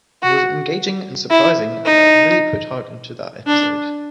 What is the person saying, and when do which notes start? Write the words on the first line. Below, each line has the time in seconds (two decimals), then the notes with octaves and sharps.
It was engaging and surprising and I really put heart into that episode.
0.23 F#4
1.30 E4
1.85 D#4
3.47 D4